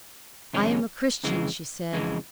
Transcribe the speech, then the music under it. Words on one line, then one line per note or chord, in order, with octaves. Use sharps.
'I am a Christian,' she said.
F2 C3 D#3 G#3 C#4
F2 C#3 E3 G#3
F2 C#3 E3 G#3